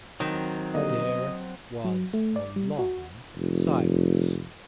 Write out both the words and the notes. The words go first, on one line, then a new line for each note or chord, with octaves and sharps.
There was a long silence.
D#3 F#3 C4
D3 G3 A#3 D#5
F#3
A3
D5
G3
F#4
F1